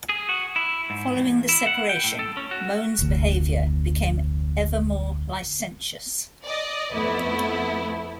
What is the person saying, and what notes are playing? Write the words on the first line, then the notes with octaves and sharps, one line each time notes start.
Following the separation, Mohun's behaviour became ever more licentious.
G#4
F#4
E4
G#2
E2
E4
F#5
G5
A2
A4
C#4
F#4
F1 D2
D5 D#5
F2 A3 B3 E4